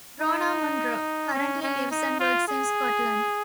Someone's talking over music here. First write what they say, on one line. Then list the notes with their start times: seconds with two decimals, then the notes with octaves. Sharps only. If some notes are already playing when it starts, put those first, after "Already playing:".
Rona Munro currently lives and works in Scotland.
0.20 D#4
1.34 C#4
1.63 C#4
1.91 D#4
2.20 F4
2.48 G#4